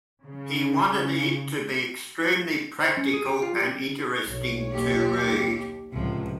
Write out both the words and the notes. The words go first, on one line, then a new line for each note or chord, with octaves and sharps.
He wanted it to be extremely practical and interesting to read.
C#3
C5
C#4
G#4
G4
F4
G4
B1 C#5
D#2 G4
C#2 A2 C3 F3